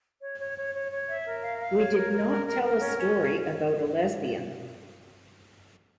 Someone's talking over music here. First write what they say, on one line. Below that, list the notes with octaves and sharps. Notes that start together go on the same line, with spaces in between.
We did not tell a story about a lesbian.
C#5
C#5
C#5
C#5
C#5
E5
A#4
F5
F5
C#5
A#4
A#4
A#4
A#4
A#4
C#4
C#4
A#4